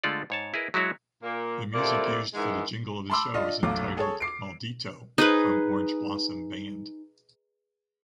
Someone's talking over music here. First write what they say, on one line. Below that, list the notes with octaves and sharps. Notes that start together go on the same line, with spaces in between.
The music used for the jingle of the show is entitled Maldito, from Orange Blossom band.
D3 G#3 A3 F4 A4 D5
G#2 C#5 A5
E4 G#4 A#4 B4 D#5
F#3 G#3 E4 F#4 C#5
A#2 A#3
F2 C3 A3 A#3 E4 D5
G#2 D#3 E3 G#3
A5 B5 C6 D6 E6
D4 F4 D#5
F#1 B1 A3 F5 D6
G#4 A4 C#5
D6 C7 D7
D#4 G#4 B4